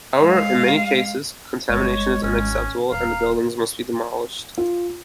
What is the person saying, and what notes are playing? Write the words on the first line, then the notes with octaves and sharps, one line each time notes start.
However, in many cases contamination is unacceptable and the buildings must be demolished.
G#3 F5
G1 G#3 C#5
G#1 C#4
D#1 F5 A#5
F4